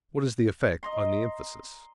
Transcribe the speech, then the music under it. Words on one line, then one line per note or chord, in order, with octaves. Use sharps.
What is the effect on the emphasis?
D#5 A#5 C6